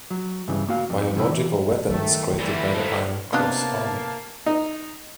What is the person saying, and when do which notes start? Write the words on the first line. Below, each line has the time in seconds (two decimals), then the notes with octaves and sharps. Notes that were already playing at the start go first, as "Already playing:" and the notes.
Biological weapons created by the Iron Cross Army.
0.11 F#3
0.48 G2 C#3 E3
0.69 A#3 F#4 F5
0.90 F2
1.16 F#2 C3 D#3 C4 E4 B5
1.31 E3
1.88 D#3 A3
2.39 A#2 D3 E3 G3 E4
2.74 G2 E3 F3 D#4 A4
3.33 C3 A#3 B3 D4 F4 D#5 A5
4.46 D#4